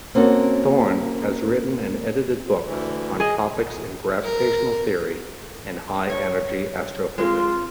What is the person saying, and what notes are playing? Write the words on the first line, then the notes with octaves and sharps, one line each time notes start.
Thorne has written and edited books on topics in gravitational theory and high-energy astrophysics.
A#3 C4 C#4 F#4 A4
D2 E3
G#4 D#5
A#4
C#5
G#3 C4 F4